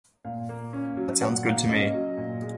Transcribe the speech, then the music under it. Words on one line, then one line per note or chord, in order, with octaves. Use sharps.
That sounds good to me.
A#2 F5
A#3
C#4
F#3
A#2 F#5
A#3 F5
C#4 D#5
F#3
A#2
G#3